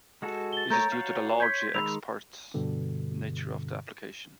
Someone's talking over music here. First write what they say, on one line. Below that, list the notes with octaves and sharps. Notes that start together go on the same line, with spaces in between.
This is due to the largely "ex parte" nature of the application.
G#3 F#4 A4
A6 G7
A3 A#4 C#5 A#5 G6 A6
F#4 C#5 F5
C#5 C6 G6 G#6 B6
D#3 G#3 B5 E6 F7
G2 B2 D3